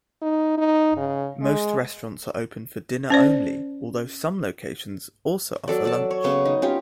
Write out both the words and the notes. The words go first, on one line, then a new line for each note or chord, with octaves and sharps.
Most restaurants are open for dinner only, although some locations also offer lunch.
D#4
D#4
C#3
G#3
C#4 C5 D5
F#3 A4 D5
D5 A5
C#5
C#3 B3
D#4
C#4 F4 G4